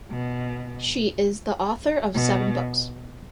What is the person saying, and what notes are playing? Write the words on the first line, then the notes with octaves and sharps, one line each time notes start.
She is the author of seven books.
B2
B2